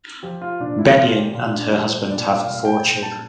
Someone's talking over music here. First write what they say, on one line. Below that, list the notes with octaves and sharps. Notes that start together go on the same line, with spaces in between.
Bennion and her husband have four children.
F3 G4
F4
A#2 D4
E4
A#2 F4
G4
G4
A#2 F4
D4
G3 E4
C5
A#2 D5
F5
A#2 F5
G5
A#2 G5
A5